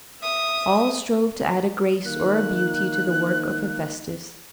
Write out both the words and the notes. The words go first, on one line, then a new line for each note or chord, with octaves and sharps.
All strove to add a grace or a beauty to the work of Hephaestus.
E5 D#6
D#3 A#3 F#6